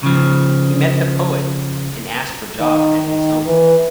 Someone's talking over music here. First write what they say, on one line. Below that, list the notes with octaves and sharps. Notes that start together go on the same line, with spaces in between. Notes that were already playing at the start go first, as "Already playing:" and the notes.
He met the poet and asked for job at his home.
C#3 F3
D#3
D#3
E3